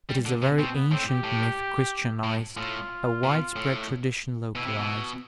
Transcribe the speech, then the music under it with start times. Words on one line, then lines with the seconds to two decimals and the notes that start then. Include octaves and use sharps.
It is a very ancient myth Christianized, a wide-spread tradition localized.
0.09 G3
0.25 D3
0.42 C3
0.58 B2 C4
0.75 B3
0.92 A2 C4
1.08 G4
1.24 A2
2.24 A2
2.56 A2 F4
3.24 B2
3.56 A2
4.55 B2 E4
4.66 C3
4.78 B2